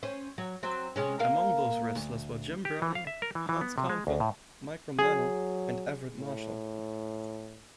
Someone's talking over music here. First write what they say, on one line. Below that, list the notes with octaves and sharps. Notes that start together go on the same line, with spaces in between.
Among those wrestlers were Jim Browning, Hans Kampfer, Mike Romano and Everette Marshall.
C#4 C5
F#3
F#3 C4
C3 G#3 C#4
A#3 A#4 F5
D2
G4
E3
F5
E5
A#4
E3
E3
B3
C3
G#3
D2
A2
F#3 G#4
A2